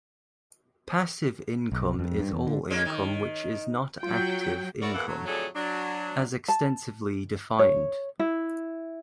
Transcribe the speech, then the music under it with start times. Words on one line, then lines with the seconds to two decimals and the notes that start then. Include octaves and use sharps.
Passive income is all income which is not active income, as extensively defined.
1.72 B1
1.99 F2
2.20 G2
2.32 E2
2.47 D3
2.70 G#3 A#3 C#4
2.85 D#3
4.03 F#3 F4 G5
4.82 E4 F#4 A#4 C#5 D5
4.95 E2 E3 A#3 A4 F#5
5.07 F#3 A3
5.26 F2 A2 D3 F#3 G#4 A4
5.56 F#3 D4
6.48 A5
7.59 C#5
8.19 E4